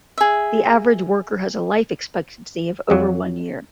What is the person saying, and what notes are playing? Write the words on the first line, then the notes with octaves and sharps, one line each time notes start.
The average worker has a life expectancy of over one year.
G#4 E5
F2 F#3